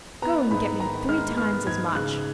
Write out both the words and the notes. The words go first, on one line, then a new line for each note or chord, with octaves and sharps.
Go and get me three times as much!'
B3 A#5
G#2 B5
D#3 A#5
G#3 F6
B3 F6
G#2 G#6
C#3 F#6